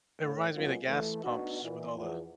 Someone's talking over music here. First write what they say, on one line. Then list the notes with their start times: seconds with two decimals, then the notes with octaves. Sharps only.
it reminds me of the gas pumps, with all the
0.23 A2
0.55 F#3 G#3 A#3 B3 C#4 F4
0.88 E3 A3
1.24 B3 D4 D#4 F#4
1.63 A#2 E3
1.95 E2 F3